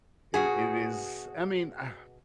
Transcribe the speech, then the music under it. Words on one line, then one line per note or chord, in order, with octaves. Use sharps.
It it is I mean, um,
B2 F#4 G#4